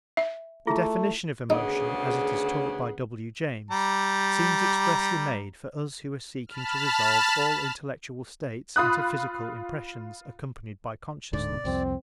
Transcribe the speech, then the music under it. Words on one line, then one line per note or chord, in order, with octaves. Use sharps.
The definition of emotion, as it is taught by W. James, seems expressly made for us who are seeking to resolve all intellectual states into physical impressions accompanied by consciousness.
E5
A3 E4 F4 G#4
D2 C#3 B3 D#4 G#4
G3 A#5
A5 B5 F6
F4 B5 D#6 F#6
D1 G#2 D3 D5
C2 F2 C4